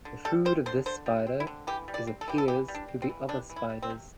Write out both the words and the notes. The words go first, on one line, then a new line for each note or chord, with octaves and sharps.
The food of this spider is appears to be other spiders.
D3
G3 A4
C4 C5
D3 C5
D3 C5
G3
C4
E4
D3
E3 G4
G3
D5
C4
A4
E3 G4
A4
E3 G4
G3
D4
C4
C4
E3
C3 D4
E3
E4
G3
C4
C3